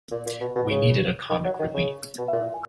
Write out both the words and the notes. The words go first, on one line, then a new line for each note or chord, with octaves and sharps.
We needed a comic relief.
A#2
A#2
B2
B2
C#3
D#3
F#3
D#3
C#3
B2
A#2